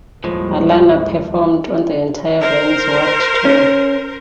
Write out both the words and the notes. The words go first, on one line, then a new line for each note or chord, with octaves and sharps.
Alana performed on the entire Vans Warped Tour.
D#2 A2 D#3 F3 G3 G#3 C5
A#4 C5
C#4